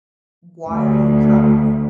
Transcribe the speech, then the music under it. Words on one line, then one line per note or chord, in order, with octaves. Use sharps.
Why are you crying?
D2